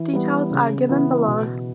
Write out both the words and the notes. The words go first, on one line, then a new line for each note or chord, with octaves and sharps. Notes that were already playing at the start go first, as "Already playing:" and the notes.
Details are given below.
Already playing: E3
G3 B3
C#3
E3 B3
B2